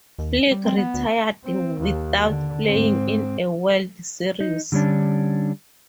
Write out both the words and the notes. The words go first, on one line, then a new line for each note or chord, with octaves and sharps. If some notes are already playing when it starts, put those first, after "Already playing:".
Flick retired without playing in a World Series.
D#2
G3
C4
B3
D2
C4
D#2
D3
G#2 C4
D#4
D3 G3 C#4 D4